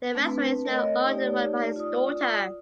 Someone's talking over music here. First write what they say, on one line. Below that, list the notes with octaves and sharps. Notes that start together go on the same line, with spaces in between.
The restaurant is now owned and run by his daughter.
A3 C4 D4 B4
A3 A#4 C#5 D#5
A3 D#4 G4 C#5 D5
F4 D5 D#6